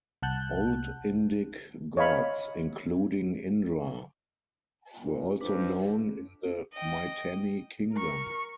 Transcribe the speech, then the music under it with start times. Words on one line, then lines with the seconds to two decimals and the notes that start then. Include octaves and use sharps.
Old Indic gods, including Indra, were also known in the Mitanni kingdom.
0.22 C2 F#5 A5 F#6 G6
1.97 C#5 D#5 F5 B5 C#6
5.03 A#2
5.41 F2 D4 B4
6.73 D#5 G5
7.93 A#4 C#6